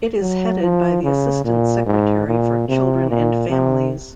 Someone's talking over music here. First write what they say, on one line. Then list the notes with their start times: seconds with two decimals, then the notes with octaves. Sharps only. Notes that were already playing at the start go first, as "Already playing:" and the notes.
It is headed by the Assistant Secretary for Children and Families.
0.21 F#3
0.63 F3
1.04 C#3
1.45 A#2
1.86 G#2
2.27 A#2
2.69 C3
3.10 A#2
3.50 C3